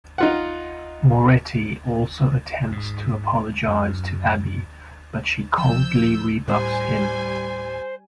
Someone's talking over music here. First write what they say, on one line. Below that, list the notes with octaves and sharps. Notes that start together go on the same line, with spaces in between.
Moretti also attempts to apologize to Abby, but she coldly rebuffs him.
D#4 F4 F#5
G#2
F#2
F3 E6 G6
A2 G3 C5 G#5